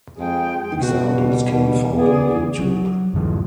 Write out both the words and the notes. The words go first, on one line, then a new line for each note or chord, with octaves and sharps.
Examples can be found on YouTube.
F2 G#3 G5
B2 F#4
G3
B2
B3 G#4 D5
F#3
G2 D#3 F3